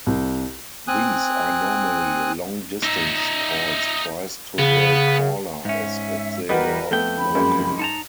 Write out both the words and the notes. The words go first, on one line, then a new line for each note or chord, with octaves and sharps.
These are normally long-distance calls priced to the caller as if they were local.
C2
C4 G#5 D#6 F#6
D#4 E5
C#3 B3
G#2 C#4 E5
E2 G3 F#4 A#4 B4 D#5
F2 A3 B3 G5
B5
F#2 G#3 A#3
D#4 A5 A#5